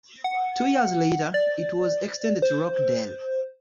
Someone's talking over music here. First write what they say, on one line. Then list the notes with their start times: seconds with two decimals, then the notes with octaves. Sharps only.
Two years later, it was extended to Rockdale.
0.24 F#5
1.34 D5
2.42 C5